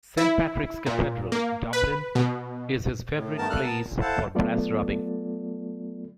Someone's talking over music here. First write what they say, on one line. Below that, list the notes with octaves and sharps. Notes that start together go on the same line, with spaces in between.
Saint Patrick's Cathedral, Dublin, is his favourite place for brass rubbing.
E4
A#2
A#3
B4
B2
A2
G2 D#3 A3 B3 A#4 A5
G3 A3 A#3 A4 F6 F#6
B3 A#4 A5
A#2
E4 A4 C5 F5 F#5 A5
F#3 A3 B3 F4 A4 D5